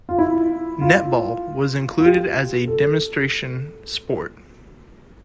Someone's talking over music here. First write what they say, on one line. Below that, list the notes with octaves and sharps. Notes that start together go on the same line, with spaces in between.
Netball was included as a demonstration sport.
F4
E4
F4
F4
G4
A4